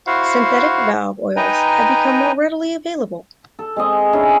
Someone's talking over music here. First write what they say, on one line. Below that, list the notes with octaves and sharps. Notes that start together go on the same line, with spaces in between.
Synthetic valve oils have become more readily available.
E4 F#4 C5 F5 F#5
D#4 B4 G5 G#5 A#5
A4
G#3 C4 D#5
C#4 D4 E4 G#4